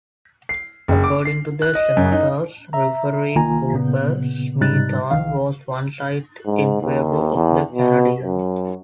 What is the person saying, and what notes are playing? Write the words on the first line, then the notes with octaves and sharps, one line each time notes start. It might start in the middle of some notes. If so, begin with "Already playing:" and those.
According to the Senators, referee Cooper Smeaton was one-sided in favour of the Canadiens.
C7
F#1
D6
C7
F#6
D#5
F#2
D#4
E5 A#5
C2 D#3 A#3 F4 G#5 A#5
A#2 C#3 B3
G#2 C3 G3 D#4 F#6 A6
C2 D#3 F5
G#2
D#2
E2
B2
F#2